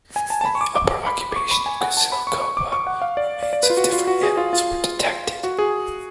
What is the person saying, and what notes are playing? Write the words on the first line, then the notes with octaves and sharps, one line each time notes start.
In the upper occupation of Kizil Koba remains of different animals were detected.
G#5
A5
A5
B5
C#6
D6
D6
D6
B5
B5
D6
C#6
B5
G#5
F#5
A5
B5
C#6
C#6
D6
C#6
F#5
F5
D5
D5
D5
B4
F4
F#4
F4
F#4
G#4
F4
F4
F#4
G#4